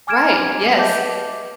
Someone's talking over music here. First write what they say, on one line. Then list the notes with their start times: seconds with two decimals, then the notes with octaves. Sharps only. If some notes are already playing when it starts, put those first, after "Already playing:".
Right, yes.
0.07 G#5 D6 F6 G#6 D7 E7
0.77 B4 D#5 E5 A5 D6 G6